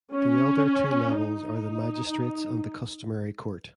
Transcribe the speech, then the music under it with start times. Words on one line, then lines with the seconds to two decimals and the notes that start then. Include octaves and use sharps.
The other two levels are the Magistrates and the Customary Court.
0.15 C#4
1.21 D#4